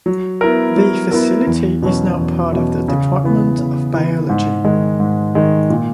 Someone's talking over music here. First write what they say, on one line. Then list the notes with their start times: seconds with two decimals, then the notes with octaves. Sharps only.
The facility is now part of the department of biology.
0.06 F#3
0.41 B3 E4 A#4
0.76 F#3
1.11 B3 E4 A#4
1.47 E2
1.82 B2 F#3 C#4
2.17 E2
2.53 B2 F#3 C#4
2.88 C#3
3.23 E3 B3
3.58 C#3
3.94 E3 B3
4.29 G#2
4.64 D#3 G#3
5.00 G#2
5.35 D#3 G#3
5.70 A#2